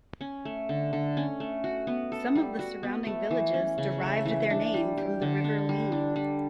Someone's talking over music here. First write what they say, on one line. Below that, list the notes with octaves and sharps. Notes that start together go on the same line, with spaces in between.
Some of the surrounding villages derived their name from the River Leen.
C#4
A3
D3
D3
C#4
A3
F#4
B3
A4
G3
F#4
B3
A3
E3
C#4
C#3
A3
E3
D4
G3
G4
D3
D4
G3
D4
G3